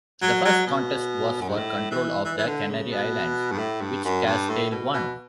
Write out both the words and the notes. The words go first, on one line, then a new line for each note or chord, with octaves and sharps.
The first contest was for control of the Canary Islands, which Castile won.
F#3
F#3
B2
F#2
G2
A2
E3
E3
E3
D3
C#3
B2
G2
A2
G2
F#2
G2
A2
B2
B2